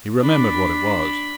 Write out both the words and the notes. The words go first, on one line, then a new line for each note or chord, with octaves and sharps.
He remembered what it was.
D4 B5